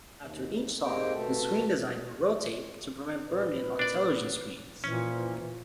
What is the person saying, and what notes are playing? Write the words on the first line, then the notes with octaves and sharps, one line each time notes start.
After each song, the screen design will rotate to prevent burn-in on television screens.
D#2
G#2 G#3 A#3 C4 G4 G5
B2 A3 A4
A#2 B4
D4 D5
A#2 E3 F3 C#4